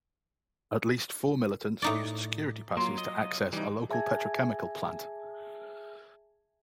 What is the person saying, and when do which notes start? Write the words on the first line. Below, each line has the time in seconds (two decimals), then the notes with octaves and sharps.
At least four militants used security passes to access a local petrochemical plant.
1.82 A2 D#4 D5
2.77 F#3 A#3 F4 C6
2.98 D#5
3.53 E3 G3 D#4
3.90 G#4 E5 G#5 A5 G#6